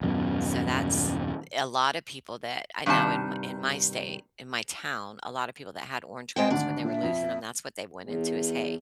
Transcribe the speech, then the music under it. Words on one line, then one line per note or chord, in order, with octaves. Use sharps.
So that's A lot of people that I know in my in my state, in my town, a lot of people that had orange groves, when they were losing 'em, that's what they went into was hay.
D#1 F#2 B3
G2 C3 D#3 A5
G#3 C4 G5
G#1 D2 D3 D4
A#2 E5
F2
E2